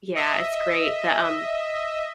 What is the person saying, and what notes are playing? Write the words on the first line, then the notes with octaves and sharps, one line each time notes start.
Yeah, it's great. The, um,
D#5 E5